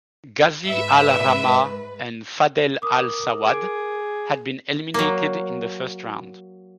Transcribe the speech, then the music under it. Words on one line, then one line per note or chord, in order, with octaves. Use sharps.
Ghazi Al Rahma and Fadhel Al Sawad had been eliminated in the first round.
G#2 B4 E5
A#4 D6 D#6
G#4 D6 D7
F#3 A#3